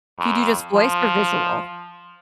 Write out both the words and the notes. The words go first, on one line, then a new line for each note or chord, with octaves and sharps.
Do you do just voice or visual,
F2
F3